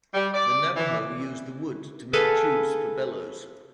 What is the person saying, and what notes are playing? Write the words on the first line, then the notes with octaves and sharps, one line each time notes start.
The Navajo use the wood to make tubes for bellows.
G3
D5
E3
G#4 A4 B4 F5